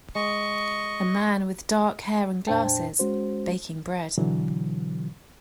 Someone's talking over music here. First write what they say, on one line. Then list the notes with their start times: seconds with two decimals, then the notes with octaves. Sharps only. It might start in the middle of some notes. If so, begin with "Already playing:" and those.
A man with dark hair and glasses baking bread.
0.15 G#3 D#5 C#6
2.47 F2 A#2 D4 C5 G5 A5
2.99 G#3 C#4 F#4 C5
4.18 B2 D3 E3 F#3